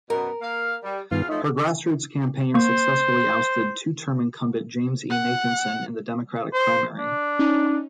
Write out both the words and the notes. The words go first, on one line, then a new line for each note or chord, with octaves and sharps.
Her grassroots campaign successfully ousted two-term incumbent James E. Nathanson in the Democratic primary.
F#2 B2 B3 A#4
A#3 F5
G3
E2 G2 D#3 B3 F4 F5
F3 F#3 A3 D#4 D#5
A#3 C5 C#6
F#5
C5
D4
C#4 D#4